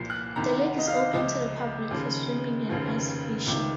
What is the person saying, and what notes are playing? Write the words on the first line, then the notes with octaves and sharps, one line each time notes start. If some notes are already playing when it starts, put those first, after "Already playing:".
The lake is open to the public for swimming and ice fishing.
Already playing: C2 A#2 F3 C7
F#6
C2 C3 D#3 A#5
F#5
D#5
F5
C#2 C3 F3 D#5
D#2 C#3 F3
F1 D#2 C#3 F3
C#2 C3 D#3